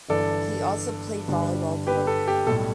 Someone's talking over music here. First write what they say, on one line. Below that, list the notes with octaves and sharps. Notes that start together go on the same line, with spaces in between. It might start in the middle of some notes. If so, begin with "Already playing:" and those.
He also played volleyball growing up.
G1 G2 E3 A4 D5
G1 G2 G3 D4
G4 B4
A4
G4
B1 A2 G3 A4